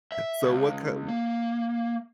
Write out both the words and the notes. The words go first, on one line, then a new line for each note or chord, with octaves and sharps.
So, what k w
E5
C#2
A#3